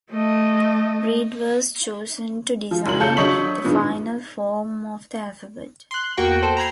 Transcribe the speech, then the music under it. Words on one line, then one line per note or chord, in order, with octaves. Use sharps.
Read was chosen to design the final form of the alphabet.
A3 D#5
F3
F#1 F#4 F#7
C#2 A4 C#5 F5 G6 C#7
D3 F#3 D#5 C#6 B6 F#7
G2 A#2 D#3 G#3 B3
C6 F#6
E2 A#3 F#4 G5
A4 C5 G5
A#5 B5 G#6 C7